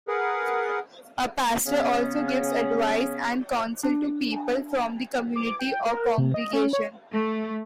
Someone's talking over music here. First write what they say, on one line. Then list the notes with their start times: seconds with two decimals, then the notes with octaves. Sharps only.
A pastor also gives advice and counsel to people from the community or congregation.
0.08 G#4 A#4 B4 F#5
1.64 C#3 B3 C#4
3.83 D4
5.36 D6
5.59 G5
5.86 A#4
6.18 C3
6.34 D#5
6.53 C#4
6.73 C#5
7.12 A3